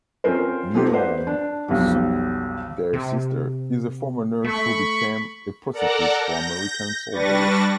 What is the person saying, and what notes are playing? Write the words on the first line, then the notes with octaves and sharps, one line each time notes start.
Myeongsuk, their sister, is a former nurse who became a prostitute for American soldiers.
C4 C#4 F4 A#4 C5
A3 A#3 C4 D#4 F4 G4
B4 C5 D5 F#5
D4
B1 F2 B2 G3
C3
A3 B5 C#6
A4 A#4 D5 F#5 A#5
G6 A#6
G3 D4 B4 C#6 A6 A#6